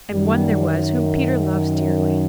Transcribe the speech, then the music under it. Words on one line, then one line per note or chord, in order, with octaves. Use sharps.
And one there was whom Peter loves dearly.
F#2 D#3 G3